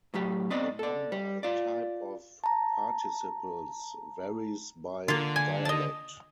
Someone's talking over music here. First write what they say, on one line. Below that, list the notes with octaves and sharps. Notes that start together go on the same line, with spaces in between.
The number and type of participles varies by dialect.
A2 F#3 G4
B3 C4 D5 D#5
A4 D5
G3
F4 D5
A5 A#5
D3 A#3 F4
G#5
D#5 A5